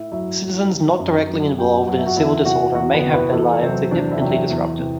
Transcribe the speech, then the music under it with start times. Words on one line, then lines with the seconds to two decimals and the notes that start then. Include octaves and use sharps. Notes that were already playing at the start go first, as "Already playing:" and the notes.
Citizens not directly involved in a civil disorder may have their lives significantly disrupted.
Already playing: A2 E4 E5
0.11 F#3 E4 E5
0.42 A2
0.71 F#3
0.99 F#2
1.28 F#3
1.58 F#2 G4 G5
1.87 F#3 F#5
1.97 E5
2.06 F#4 F#5
2.17 E2 E4 E5
2.45 C3 E3 F#4 F#5
2.74 E2 F#4 F#5
2.94 B3 B4
3.04 C3 E3
3.14 B3 B4
3.33 E2 A4
3.42 B4
3.52 A3 A4
3.63 C3 F#3 C4 C5
3.91 E2 D4 D5
4.11 E4 E5
4.21 C3 F#3
4.50 E2
4.79 C3 E3